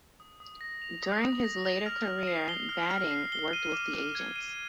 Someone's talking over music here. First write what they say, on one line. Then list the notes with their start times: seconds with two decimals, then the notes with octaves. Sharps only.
During his later career, Badding worked with the Agents.
0.20 D#6
0.40 D#6
0.61 A#6
0.82 F7
1.03 D#6
1.23 D#6
1.44 A#6
1.65 F7
1.86 F6
2.07 F6
2.27 C7
2.49 G7
2.69 F6
2.90 F6
3.11 C7
3.32 G7
3.53 D#7
3.73 D6
3.94 F6
4.15 G#6
4.36 D#7